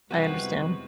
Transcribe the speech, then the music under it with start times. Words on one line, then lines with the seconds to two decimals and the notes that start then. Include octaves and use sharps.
I understand.
0.11 F2 C3 G3 G#3 B3 E4 F#4 B4